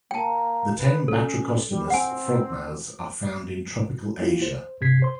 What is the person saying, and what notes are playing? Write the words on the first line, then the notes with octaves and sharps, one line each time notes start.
The ten "Batrachostomus" frogmouths are found in tropical Asia.
A#3 G5 A5
B4
C#4 A4
G3
C4 F#5 G#5
A#3 E4 F4 G4
C5
G2 C3 G#6 B6 C7
C5 C6